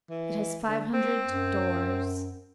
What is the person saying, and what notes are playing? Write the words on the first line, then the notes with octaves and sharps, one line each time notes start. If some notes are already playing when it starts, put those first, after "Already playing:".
It has five hundred doors.
E3
D3
C4
F#2